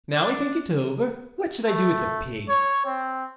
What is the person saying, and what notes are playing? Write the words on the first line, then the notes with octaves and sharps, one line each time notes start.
Now I think it over, what should I do with a pig?
D4
A3
C#5
C4